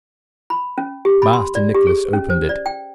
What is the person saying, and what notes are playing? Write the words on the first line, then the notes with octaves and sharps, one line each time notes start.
Master Nicless opened it.
B5
C#4
G4
B5
C6
D5
G4
G#4
C#4
C5
D5
G5